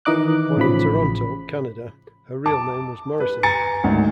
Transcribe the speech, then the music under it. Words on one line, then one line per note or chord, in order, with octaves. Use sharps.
Born in Toronto, Canada, her real name was Morrison.
D#3 E3 D#4 D#5 D6 F#6
A1 C#3 F3 B5
A5 D6
B4
G#5 A#5 A6 C#7
G#1 D2